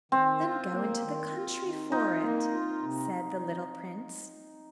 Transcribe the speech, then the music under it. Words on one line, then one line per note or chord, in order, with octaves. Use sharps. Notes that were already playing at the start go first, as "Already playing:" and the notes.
"Then go into the country for it," said the little prince.
D#3 C4
F4
A#3
D#3
F4
D#3
D#4 F4
A#3
F4
C3